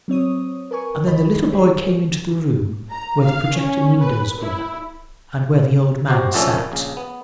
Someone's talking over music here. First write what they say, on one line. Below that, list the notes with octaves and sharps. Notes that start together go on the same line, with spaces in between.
And then the little boy came into the room where the projecting windows were, and where the old man sat.
F#3 C4 C#5 D#6
A#4 B4 G#5 C#6
G#1 D#3 D#5 B5
G4 G#4 C5 C#5
A#5
F5
C#4
B4
E4
F#4 G4 C5
A#1 F2 A#2 A3 C#4 A4
A#1 C#3
B3